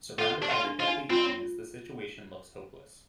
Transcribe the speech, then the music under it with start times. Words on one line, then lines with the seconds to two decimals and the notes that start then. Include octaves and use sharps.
Surrounded by the deadly aliens, the situation looks hopeless.
0.19 F4 A4
0.41 D4 G4
0.50 F4
0.65 D4
0.80 F4
0.88 D4
1.10 C4 F4